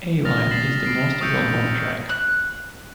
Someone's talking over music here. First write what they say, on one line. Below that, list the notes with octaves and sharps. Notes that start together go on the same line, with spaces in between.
"A-Line" is the most well-known track.
D#6 F6 A6 A#6 F7
A6 B6 C7 E7 F#7
C7 D7
C#6 D#6 E6 G6 C#7 D7
F#6